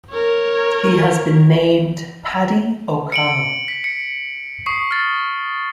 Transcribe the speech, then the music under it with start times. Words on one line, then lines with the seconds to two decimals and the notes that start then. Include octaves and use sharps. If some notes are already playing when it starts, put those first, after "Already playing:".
He has been named Paddy O'Connell.
0.10 A#4 C#5
3.12 C#7 D7 F#7
3.68 B6
3.84 C#7
4.66 C#6 D#6 C7
4.91 F6 A6